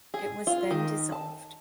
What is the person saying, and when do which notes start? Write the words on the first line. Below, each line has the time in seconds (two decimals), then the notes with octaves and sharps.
It was then dissolved.
0.14 G#4
0.47 F4
0.71 D#3
1.12 A5